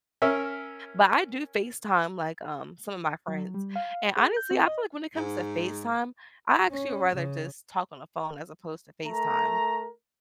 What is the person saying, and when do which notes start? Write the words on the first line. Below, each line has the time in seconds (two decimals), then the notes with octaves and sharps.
but I do FaceTime, like, um, some of my friends. And, honestly, I feel like when it comes to FaceTime, I actually would rather just talk on the phone as opposed to FaceTime.
0.22 C#4 A#4 E5
3.28 F#3
3.54 G3
3.76 F5
4.17 G#4
4.37 G6
4.51 C4
4.67 D#5
5.16 G#2
6.70 C#4
7.14 C#3
9.05 A3 A#4 A#5